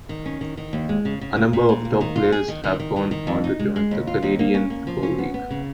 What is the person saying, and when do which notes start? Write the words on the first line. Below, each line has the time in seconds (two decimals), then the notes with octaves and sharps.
A number of top players have gone on to join the Canadian Football League.
0.09 D#3
0.26 C#4
0.41 D#3
0.57 D#3
0.73 D#2
0.89 G#3
1.05 C#3
1.21 C#3
1.36 A#3
1.53 A#2
1.69 A#2
1.85 A#3
2.01 D#3
2.16 F4
2.32 G#4
2.48 D#3
2.64 D#3
2.80 D#3
2.96 D#3
3.11 D#3
3.27 F2
3.44 D#4
3.59 G#3
3.76 G#3
3.91 D#2
4.07 F4
4.22 D#2
4.39 A#3
4.54 C#4
4.70 A#3
4.87 F3
5.03 C#4
5.18 B3
5.34 B3
5.51 C#3